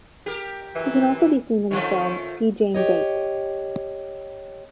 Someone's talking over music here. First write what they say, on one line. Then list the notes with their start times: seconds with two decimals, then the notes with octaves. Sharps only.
He can also be seen in the film "See Jane Date".
0.26 G4 A#4
0.75 F#2 E3
1.71 D#3 F3 A3 C4 C#4
2.75 G4 C#5 D#5